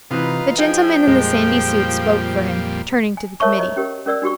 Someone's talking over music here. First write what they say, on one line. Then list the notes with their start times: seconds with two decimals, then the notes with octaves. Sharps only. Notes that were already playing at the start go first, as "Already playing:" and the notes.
The gentleman in the sandy suit spoke for him, turning to the committee.
0.11 C3 E3 D#4 F4 B4
0.58 F3 D#4 G#4 G5
1.07 F2 A#2 G3 G#3
3.17 G#5
3.40 A#4 C#5 E5 A5 C#6
3.58 C#5 D#5 A#5
3.76 C#4 G4 A#4
4.06 C#4 A#4 D5 E6
4.22 D4 F#4 G4 C#6